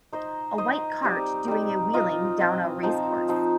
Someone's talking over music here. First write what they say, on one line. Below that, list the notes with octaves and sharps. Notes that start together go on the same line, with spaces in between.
A white cart doing a wheeling down a race course.
D#4 C5 D#5
D#4 C5 D#5
G3 C4 D#4
G3 C4 D#4
C4 F4 D#5
C4 F4 D#5
F3 C4 D#4 C5
F3 C4 D#4 C5